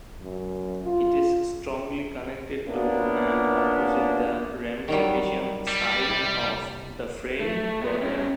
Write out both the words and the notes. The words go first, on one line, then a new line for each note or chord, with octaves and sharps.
It is strongly connected to, and opposite the ramification side of, the frame problem.
F#2
F4
A#3 B3 C#4 D4 E4 F4
D#3 F#3 G3
G3
C3 E4
A3
A#2 B3
G3 C#4